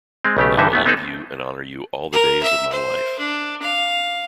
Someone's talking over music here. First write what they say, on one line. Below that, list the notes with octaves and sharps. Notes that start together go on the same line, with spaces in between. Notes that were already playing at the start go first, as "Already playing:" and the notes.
I will love you and honour you all the days of my life.
G#3 C4
B1 C#3 A3 G4
G2 D3 E3 D#4 E5
F#2 A3 B3
B3 C4 D#4 G#4 A4
A#4
E5
C5
D4
F5